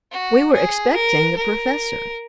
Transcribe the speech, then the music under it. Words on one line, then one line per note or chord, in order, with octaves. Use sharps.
We were expecting the professor.
F#4
G#4
A#4
A#4